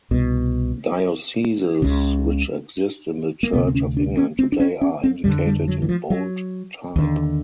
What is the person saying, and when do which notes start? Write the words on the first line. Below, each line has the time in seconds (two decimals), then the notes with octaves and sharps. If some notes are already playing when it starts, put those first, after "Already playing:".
Dioceses which exist in the Church of England today are indicated in bold type.
0.11 C2 B2
1.82 C#2 C#3
3.43 A#3
3.53 D2 C3 B3
3.67 C4
3.75 C#4
3.97 D4
4.17 C#4
4.39 C4
4.52 D4
4.60 C#4
4.81 C#4
5.04 C4
5.24 F2 D3 G3
5.46 G3
5.68 F#3
5.82 E3
5.89 F3
6.10 F#3
6.96 D#2 D3